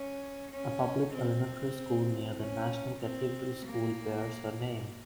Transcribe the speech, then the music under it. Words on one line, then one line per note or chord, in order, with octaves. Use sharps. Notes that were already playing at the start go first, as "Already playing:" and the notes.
A public elementary school near the National Cathedral School bears her name.
Already playing: C#4
C#4
C4
C#4
C4
A#3